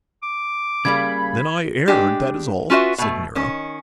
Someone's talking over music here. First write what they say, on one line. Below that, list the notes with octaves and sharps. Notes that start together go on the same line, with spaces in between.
"Then I erred, that is all," said Nero.
D6
C#3 G3 A#3 B5 G#6
G#3 D4 G4
C#4 F4 F#4 B4 E5
B2 A3
D#3 C#4